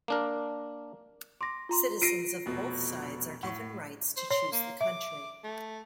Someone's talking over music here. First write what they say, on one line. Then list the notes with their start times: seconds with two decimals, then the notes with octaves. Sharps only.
Citizens of both sides are given rights to choose the country.
0.08 A#3 D4 A#4
1.41 C6 D6 A#6
1.69 F4 A#5 C6
2.02 F4 A#6 C7 D7 D#7
2.46 F1 B2
3.43 A2 F#5 C#6
4.17 C5
4.31 C#5 C6
4.52 A#3
4.81 E5 D6
5.44 A3